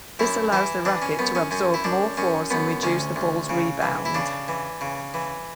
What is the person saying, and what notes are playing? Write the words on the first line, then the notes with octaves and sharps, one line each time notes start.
This allows the racquet to absorb more force and reduces the ball's rebound.
F#2 E4
E3 E4
E3 D4
C#4
F#2 B3
C#4
F#2 C#4
E4
F#2 D4
F#2 C#4
F#2 B3
D2 C#4
D2
C#3
E3
E4
C#3 D4
E3
C#3
E3